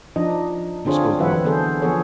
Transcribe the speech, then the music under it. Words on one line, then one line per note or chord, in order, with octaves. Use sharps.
We spoke not.
F3 D4 D#4 D#5
D3 C4 D4 F4 G#4 C#5
E3 F#3 C4 B4 E5 F#5
D3 B3 G#4 A4 C5
F3 B3 G#4 A4 C#5